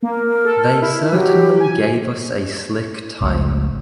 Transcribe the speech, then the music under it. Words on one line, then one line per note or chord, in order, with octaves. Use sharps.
They certainly gave us a slick time.
A#3 A#4
A4
E4
F#3 G4
G#5
G#1 C#2 C#3 A3